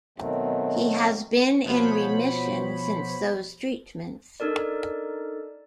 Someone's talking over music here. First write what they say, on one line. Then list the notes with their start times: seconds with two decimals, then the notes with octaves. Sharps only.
He has been in remission since those treatments.
0.18 B2 D#3 F#3 A3 C4
1.65 B2 F3 B3 C5 C#5 B5
4.40 D4 D#4 A4 A#4 D5